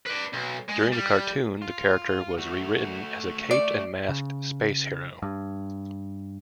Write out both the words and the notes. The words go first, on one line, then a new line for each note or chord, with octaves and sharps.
During the cartoon the character was rewritten as a caped and masked space hero.
B4 D5
B1
G#3
G3
F4
A3 F#4
D5
C#3
G2